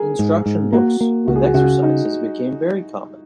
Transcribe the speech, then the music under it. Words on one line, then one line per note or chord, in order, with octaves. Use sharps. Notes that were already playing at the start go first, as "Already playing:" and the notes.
Instruction books with exercises became very common.
Already playing: G#4 A#4
G#2
G#2
A#3 F#4
A#3
C#2 F#4
G#4
F#4
C#3 F#4
D#4